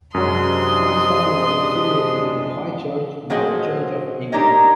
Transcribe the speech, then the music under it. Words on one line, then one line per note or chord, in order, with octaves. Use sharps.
Fry's family was affiliated with the "High Church" in the Church of England.
F#2 C3 F#3 G#3 D4 C6 D#6
F3 F#3 C4 G#4 D#5
D4 D#4 G4 A#4 C#5 D#5